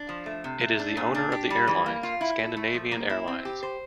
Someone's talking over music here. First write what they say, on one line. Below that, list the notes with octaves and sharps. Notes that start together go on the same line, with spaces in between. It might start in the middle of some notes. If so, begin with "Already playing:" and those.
It is the owner of the airlines Scandinavian Airlines.
Already playing: D4
F3
A3
C3
A3
D4
A#2
D4
G4
G3
E3
A#3
F4
E4
A4
A3
F3
A#3
E4
C4
G4
C5